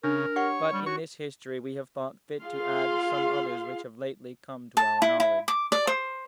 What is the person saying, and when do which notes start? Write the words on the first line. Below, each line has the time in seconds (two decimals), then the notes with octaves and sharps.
But in this History we have thought fit to add some others which have lately come to our knowledge.
0.04 C#3 D4 A#4
0.36 G4 C#5 F#5 C#6
0.72 G3
0.86 F#4 C#5 C#6
2.41 F4 G#4 F5 C6
4.77 A5
5.02 E4
5.20 E4
5.48 D6
5.72 D5
5.87 C5